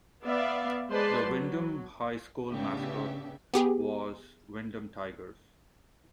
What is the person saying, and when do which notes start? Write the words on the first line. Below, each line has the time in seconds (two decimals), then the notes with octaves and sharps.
The Windom High School mascot was Windom Tigers.
0.24 B3 D5 E5 F5
0.90 G#3 B4 C5 D5 A5 C6
1.25 F#3
2.50 A2 C#3 B3 D4 G4 E5
3.54 B3 G4 G#4